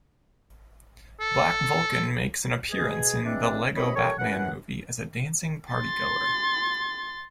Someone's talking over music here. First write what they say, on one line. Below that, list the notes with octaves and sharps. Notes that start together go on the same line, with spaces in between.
Black Vulcan makes an appearance in "The Lego Batman Movie" as a dancing partygoer.
A4
B2 G#4
E3 G#3 C4 D4
D#2 C3 C4 C#5 D#5 B5
G4 A4 A#4 C#5
F#2 E3 C#4 F#5
C6 A6